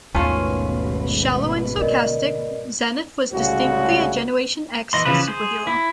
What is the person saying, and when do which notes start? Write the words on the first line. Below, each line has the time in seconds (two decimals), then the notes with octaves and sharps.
Shallow and sarcastic, Zenith was a distinctly Generation X superhero.
0.15 G#1 D#2 B2 A3 C#4 F4 B4
1.77 D3 A#3 A#4 D5 D#5
3.32 C2 A2 C#3 G#3 F#4
4.93 E3 D#5 C6
5.05 C#3 E3 F3 B4
5.28 G#4 C5
5.67 E4